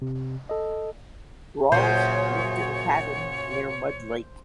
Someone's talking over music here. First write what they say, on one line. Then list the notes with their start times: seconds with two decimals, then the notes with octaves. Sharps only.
Rawls lived in a cabin near Mud Lake.
0.02 C3
0.49 A4 D#5
1.72 F#2 A#2 C#3 C5 C#5